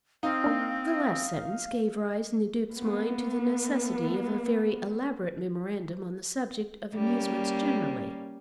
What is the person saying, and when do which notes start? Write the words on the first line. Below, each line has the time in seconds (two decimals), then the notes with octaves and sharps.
The last sentence gave rise in the Duke's mind to the necessity of a very elaborate memorandum on the subject of amusements generally.
0.23 C4 D#4 F5
0.44 A#3 D4
2.73 A#3 B3
6.95 G3 A#3 C#4